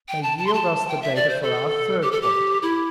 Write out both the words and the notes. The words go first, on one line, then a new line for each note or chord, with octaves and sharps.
They yield us the data for our third point.
G5
A5
A5
C6
A5
G5
E5
D5
C5
A4
G4
A4
G4
E4